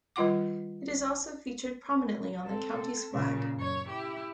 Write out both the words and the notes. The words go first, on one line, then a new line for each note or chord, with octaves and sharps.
It is also featured prominently on the county's flag.
D#3 G3 F4 F#5 D6
C4 A4
A#2 C#3
F#2 C#5
E4 G4